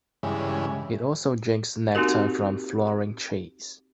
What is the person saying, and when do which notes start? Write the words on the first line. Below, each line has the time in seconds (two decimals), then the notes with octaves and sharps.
It also drinks nectar from flowering trees.
0.23 G2 C#3 E3 G#3
1.95 A#3 C4 D#4 F#4 G4 A#4